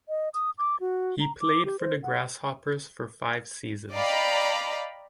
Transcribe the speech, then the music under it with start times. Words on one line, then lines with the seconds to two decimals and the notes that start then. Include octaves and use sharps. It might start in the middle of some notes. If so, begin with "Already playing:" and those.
He played for the Grasshoppers for five seasons.
0.09 D#5
0.34 D#6
0.58 D6
0.80 F#4
1.20 A#5
1.40 D6
1.65 G4
1.80 C5
2.03 F#5
3.93 D5 D#5 F5 G5 A#5 B5